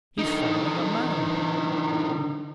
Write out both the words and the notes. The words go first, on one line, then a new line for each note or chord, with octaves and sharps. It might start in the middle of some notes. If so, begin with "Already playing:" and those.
"He's following a man!"
D3 D#4